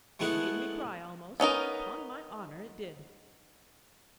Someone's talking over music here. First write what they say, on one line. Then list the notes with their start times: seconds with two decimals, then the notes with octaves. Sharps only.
"It made me cry almost; 'pon my honour it did."
0.19 G#3 A3 B3 E4 F#5
1.40 B3 C#4 D#4 A#4